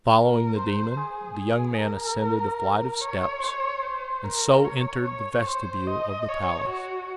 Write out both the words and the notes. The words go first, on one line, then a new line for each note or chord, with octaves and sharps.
Following the Demon, the young man ascended a flight of steps, and so entered the vestibule of the palace.
A#4
C5
G#4
G#4
A#4
C#5
C#5
C5
A#4
C#5
C#5
C5
D#5
C#5
F#4